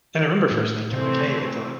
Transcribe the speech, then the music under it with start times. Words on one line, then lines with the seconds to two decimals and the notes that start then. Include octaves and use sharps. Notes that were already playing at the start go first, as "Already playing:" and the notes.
and I remember first thinking like, "Hey, it's a"
0.51 A2
0.92 C3 E3 A3 C4